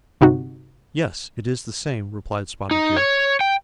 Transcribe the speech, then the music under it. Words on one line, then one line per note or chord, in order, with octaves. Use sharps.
"Yes, it is the same," replied Spotted Deer.
G1 C3 D#4 F#4
D#4
C#5
G5